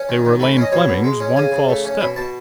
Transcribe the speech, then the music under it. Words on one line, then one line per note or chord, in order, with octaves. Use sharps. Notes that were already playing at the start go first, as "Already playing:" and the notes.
They were Lane Fleming's one false step.
Already playing: C#4
D#3
D#3
A3 B5
B5
C#4 D#5
B2 C#5
B2
G#3
C#4
C#3 G#5
C#3
A3
C#4
B2 B5
B2 A5